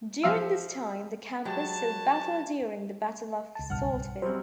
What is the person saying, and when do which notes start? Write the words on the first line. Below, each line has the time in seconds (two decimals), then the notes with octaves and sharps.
During this time the campus saw battle during the Battle of Saltville.
0.24 F3 E5 F5 E6
1.45 F#3 G#3 G4 B4 C#5 A5
3.55 C#2 A5
3.70 B1 G2 F#5 F6
4.22 F#3 G3 C4 C5